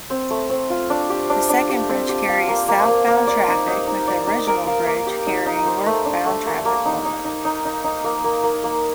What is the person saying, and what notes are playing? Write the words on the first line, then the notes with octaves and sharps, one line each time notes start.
The second bridge carries southbound traffic, with the original bridge carrying northbound traffic only.
C4
A3
C4
F4
D4
G4
D4
D4
G4
C4
G4
F5
A#3
A#3
A#3
A#3
D5
D#4
D#4
D#4
D5
D#4
A#4
F5
A#3
G4
D#4
D#4
C5
A3
D4
A3
A#3
A#3
D#4
D#4
D#4
D#4
D#4
D#4
A#3
A#3
A#3
A#3